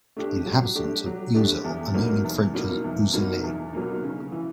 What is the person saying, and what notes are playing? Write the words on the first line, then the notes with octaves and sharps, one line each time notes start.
The inhabitants of Uzel are known in French as "uzelais".
A3 D4 G4
F#3
A3 D4 G4
F#3
A3 D4 G4
E2
B2 F#3 A#3 D#4
E2
B2 F#3 A#3 D#4
E2
B2 F#3 A#3 D#4
E2
B2 F#3 A#3 D#4
C#3
E3